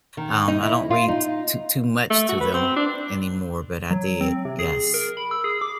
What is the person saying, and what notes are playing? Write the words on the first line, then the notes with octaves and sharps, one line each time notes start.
Um, I don't read t too too much to them anymore, but I did, yes.
D#3
D#4
E4
F4
D#4
A3
F#4
B4
C4
D4
F#3
C4
C3
G#4
A#4
B5
E6
G#4
D6